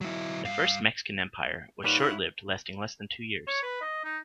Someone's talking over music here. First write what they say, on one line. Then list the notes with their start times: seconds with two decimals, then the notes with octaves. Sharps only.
The First Mexican Empire was short-lived, lasting less than two years.
0.01 F#3 E4
0.45 G2 F5
1.84 A#2 G3 D#4 F4 B4 C#5 F#5
2.02 E4
3.47 C#5
3.63 B4
3.81 D#5
4.04 D#4